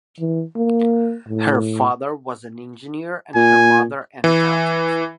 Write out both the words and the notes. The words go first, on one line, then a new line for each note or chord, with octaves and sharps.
Her father was an engineer and her mother an accountant.
E3
A#3
A2
A#2 G#5
E3